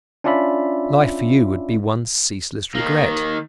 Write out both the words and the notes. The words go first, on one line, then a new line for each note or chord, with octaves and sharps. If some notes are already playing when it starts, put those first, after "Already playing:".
Life for you would be one ceaseless regret.
C#4 D4 F4 D5 E5 B5
D#3 A#3